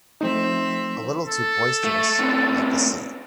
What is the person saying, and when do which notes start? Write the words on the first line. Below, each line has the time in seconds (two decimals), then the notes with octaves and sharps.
A little too boisterous — like the sea.
0.21 F3 A3 C4 D#4 E5
1.24 A4
1.84 A3
2.19 A2 C3